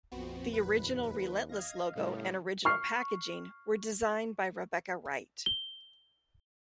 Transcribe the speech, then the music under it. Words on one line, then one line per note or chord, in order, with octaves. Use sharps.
The original Relentless logo and original packaging were designed by Rebecca Wright.
A#1 F2 F3 B3 C4 F#4
D#2 B4
B4
D#5 F5 G#6 A#6
A2 C#3 G3
C#6 F6 C7
G7